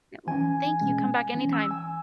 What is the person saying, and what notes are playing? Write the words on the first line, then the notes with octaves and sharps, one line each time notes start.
Yep. Well, thank you. Come back anytime.
E3 C#4 G#5
B2 G#3 C#4
E3 C#4
E6
G#5